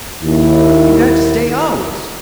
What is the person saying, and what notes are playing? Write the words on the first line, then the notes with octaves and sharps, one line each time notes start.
You got to stay always.
D#2 E4